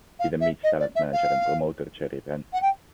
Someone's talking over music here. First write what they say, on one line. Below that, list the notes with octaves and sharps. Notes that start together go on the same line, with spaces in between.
He then meets talent manager and promoter Jerry Brandt.
F5
E5
D#5
D5
E5
F5
F#5
G5